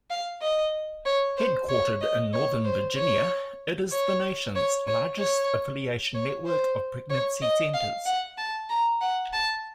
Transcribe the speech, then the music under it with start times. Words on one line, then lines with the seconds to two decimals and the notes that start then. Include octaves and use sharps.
Headquartered in Northern Virginia, it is the nation's largest affiliation network of pregnancy centers.
0.10 F5
0.42 D#5
1.06 C#5
1.37 C5
1.69 C#5
2.01 D#5
2.33 C#5
2.65 C5
2.97 C#5
3.92 C#5
4.56 C#5
4.88 C#5
5.19 C#5
6.15 C#5
6.47 C5
7.10 C#5
7.42 D#5
7.74 F5
8.06 F#5
8.38 A5
8.70 A#5
9.01 F#5
9.33 A5